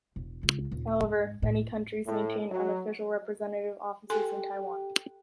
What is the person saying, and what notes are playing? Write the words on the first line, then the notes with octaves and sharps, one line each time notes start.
However, many countries maintain unofficial representative offices in Taiwan.
E1
C#2
D#1
G#2
A2
A2
F#3
G4 A4 G#5 C6